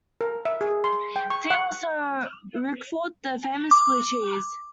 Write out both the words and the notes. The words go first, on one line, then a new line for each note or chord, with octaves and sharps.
See also Roquefort, the famous blue cheese.
A#4
E5
G#4
C6
G5
C#6
F#5
D6